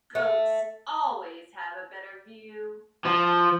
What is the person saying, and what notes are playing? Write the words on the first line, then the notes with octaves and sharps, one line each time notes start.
Goats always have a better view.
A3
F3